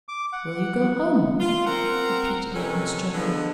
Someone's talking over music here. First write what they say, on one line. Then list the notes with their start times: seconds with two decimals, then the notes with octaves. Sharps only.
"Will you go home?" repeated Logan sternly.
0.09 D6
0.33 F#5
1.40 F4
1.66 C4 A#4 F#5
2.54 F#2 C3 D#3 C#4 A4 B4
3.14 B2 D3 F3 G#3 B3